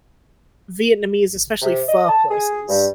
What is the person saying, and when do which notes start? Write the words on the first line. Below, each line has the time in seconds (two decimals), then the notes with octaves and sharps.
Vietnamese, especially pho places.
1.62 C3
1.88 D#5
2.08 A5
2.31 G#4
2.68 G2